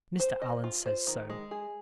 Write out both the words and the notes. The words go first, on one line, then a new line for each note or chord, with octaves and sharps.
Mr. Allan says so.
C5
D#5
F4
C5
D#3
G#3
G#4